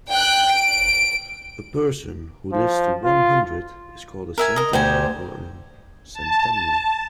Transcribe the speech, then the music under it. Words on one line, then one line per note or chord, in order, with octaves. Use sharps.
A person who lives to one hundred is called a centenary or centennial.
G5 F#6
D7
F3
F4
A#4 E5 G#5
A#4 D#5
D2 G4 C5 G#5
A5